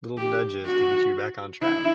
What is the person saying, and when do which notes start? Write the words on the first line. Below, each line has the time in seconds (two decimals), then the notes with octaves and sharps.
little nudges to get you back on track.
0.18 G4
0.66 F#4
1.62 E4